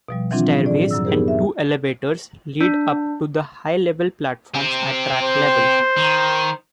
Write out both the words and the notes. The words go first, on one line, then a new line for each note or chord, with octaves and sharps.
Stairways and two elevators lead up to the high-level platforms at track level.
B2 F3 G3
D#3 E3 F#3 C4 D4 F4
A2 G#4 D5
F#2 F#3 E6
B3 D#4 G4 G#4 A#4 C5
E5
D4
C4 G4
C5
D#3